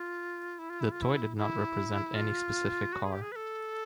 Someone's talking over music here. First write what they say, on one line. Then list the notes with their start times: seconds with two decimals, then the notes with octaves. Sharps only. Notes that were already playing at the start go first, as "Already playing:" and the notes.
The toy did not represent any specific car.
Already playing: F4
0.59 E4
0.70 F4
0.81 E4
0.91 F4
1.02 E4
1.37 E4
2.15 F4
2.93 F#4
3.04 G#4
3.12 G4
3.22 G#4
3.32 B4
3.36 A4